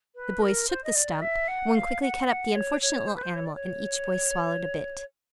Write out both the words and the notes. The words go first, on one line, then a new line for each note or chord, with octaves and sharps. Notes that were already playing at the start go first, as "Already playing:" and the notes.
The boys took the "stump," one quickly cut up the unfortunate little animal and each boy swallowed a bit.
B4
A#4
C5
D#5
D5
E5
F#5
F5
F#5
F#5
C#5
C#5
C5
B4
C5
C#5
D5
C#5